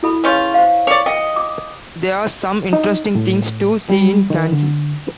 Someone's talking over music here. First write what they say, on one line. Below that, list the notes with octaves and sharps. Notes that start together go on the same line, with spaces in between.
There are some interesting things to see in Ghanzi.
E4 A4 B5
C#3 F4 B4 C#5 C#6
C5 F5
C#5 D5
D#5 G5
D6
D#4
A2
G3
D#3
D3